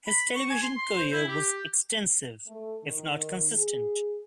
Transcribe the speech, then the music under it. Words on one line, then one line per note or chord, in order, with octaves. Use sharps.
His television career was extensive, if not consistent.
B5
C#6
G#5
C6
C6
C5
E4
G4
A3
D#3
G#4